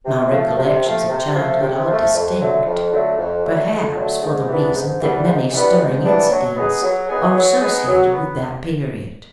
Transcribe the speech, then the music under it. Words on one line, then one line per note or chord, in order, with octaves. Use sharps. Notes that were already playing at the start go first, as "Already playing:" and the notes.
My recollections of childhood are distinct, perhaps for the reason that many stirring incidents are associated with that period.
C3
F3 A3
C3
F3 A3
C3
F3 A3
C3
F3 A3
F2
D3 F#3 A3
F2
D3 F#3 A3
F2
D3 F#3 A3
F2
D3 F#3 A3
G#2
E3 G3 B3 D4
G#2
E3 G3 B3 D4
G#2
E3 G3 B3 D4
G#2
E3 G3 B3 D4
F#3
B3 D#4 G#4
F#3
B3 D#4 G#4
F#3
B3 D#4 G#4
F#3
B3